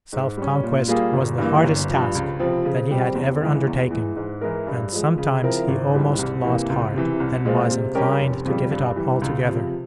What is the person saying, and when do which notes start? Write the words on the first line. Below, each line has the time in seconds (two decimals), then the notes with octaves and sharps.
Self-conquest was the hardest task that he had ever undertaken, and sometimes he almost lost heart, and was inclined to give it up altogether.
0.13 G#2
0.37 G3 C#4
0.63 A#2
0.88 G3 A#3 F4 G#4
1.13 G1
1.38 G2 E3 A#3
1.64 G1
1.89 G2 F3
2.15 C#2
2.39 C3 F3 C4
2.65 C#3
2.91 G3 C4 G4
3.15 E2
3.41 C#3 E3 G#3
3.66 E2
3.91 E3 G#3
4.16 G#2
4.41 E3 G#3 E4 A#4
4.67 G2
4.92 F3 G#3
5.18 C#3
5.43 F3 C4 E4 A#4
5.68 G#1
5.94 G#2 E3 G3
6.19 C2
6.44 C3 E3 A#3
6.70 C#2
6.94 C3 E3
7.20 C2
7.45 A#2 G#3 C4 F4
7.70 C3
7.95 G3 C#4 G4 A#4
8.21 F1
8.45 F2 C#3 G3
8.71 G2
8.96 E3 G3
9.22 C#2
9.47 C3 F3